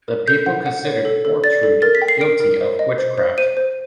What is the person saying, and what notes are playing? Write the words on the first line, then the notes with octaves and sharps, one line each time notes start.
The people consider Ortrud guilty of witchcraft.
A#4
A4 G6
F#5
F#5
C#5
A4
A4
D5 A6
A4
A#4 A6
B6
G5
C7
A#4 D7
A#4
C5
D#5
C5
C5
C5 D#7
C5